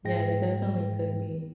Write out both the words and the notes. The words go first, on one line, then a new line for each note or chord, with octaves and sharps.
Yeah, they definitely could be.
G#2 G#3 G5 A#6